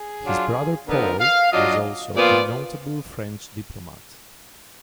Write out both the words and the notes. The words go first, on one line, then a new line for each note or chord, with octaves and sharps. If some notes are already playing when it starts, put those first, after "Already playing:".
His brother, Paul, was also a notable French diplomat.
Already playing: G#4
F#3 D4 F4
D3 F3 B3 D#4 A#4
F5
F#3 D4 F4 D#5
A#2 F3 B3 F4 D5